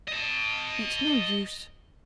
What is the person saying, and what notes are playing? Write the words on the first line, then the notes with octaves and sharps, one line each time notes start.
It's no use.
D#5 A5